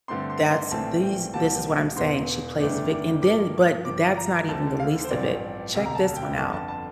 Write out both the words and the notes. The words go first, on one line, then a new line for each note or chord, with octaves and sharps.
that's these this is what I'm saying. She plays vi and then but that's not even the least of it. Check this one out.
G2 D3 A3 C4 C6
C6
C6
A#1 A2 E3 A3 C4 A5
G5
C2 A#2 G3 C4 A5
E1 E2 E3 C6
G1 F2 E3 A3 D4 D6
D6
G2 F3 A#3 D6
G1 G2 F3 D6
A#5
D2 D3 A3 C4 A5
F5
C5
A1 G2 F3 C4 D5
E1 D2 C3
A#5
A5
G5
G1 F2 D3 A5
A5
A5